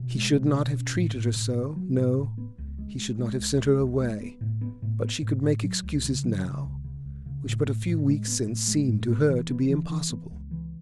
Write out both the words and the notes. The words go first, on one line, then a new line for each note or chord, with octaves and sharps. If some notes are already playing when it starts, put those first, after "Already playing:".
He should not have treated her so; no, he should not have sent her away. But she could make excuses now, which but a few weeks since seemed to her to be impossible.
Already playing: B2
G#3
B2
B2
C#4
A2
A2
A2
B3
F#3
A2
A2
B3
C#2
G#3
G#3
G#3
C#2
G#3
C#2
G#3
B3
A2
B3
A2
B3
A2
A2
F#3
C#2
C#3
F#3
C#3
C#2
C#3
C#2
C#3
A2
A2
A2
G#3
B3
A2
G#3
A2
B3
E3
B3
E3
E3
B3
C#2
E3